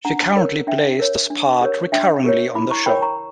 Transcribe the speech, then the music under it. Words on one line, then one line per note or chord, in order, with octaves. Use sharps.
She currently plays this part recurringly on the show.
D4 F#5 A#5
A#4 C#5
D4 E5 G5
A#4 C#5
D4
G4 A#4 C#5
D4 E5 G5
G4 A#4 C#5
E4 B5 D6
A#5 C#6
A#4 C#5 G5 B5
A#5 C#6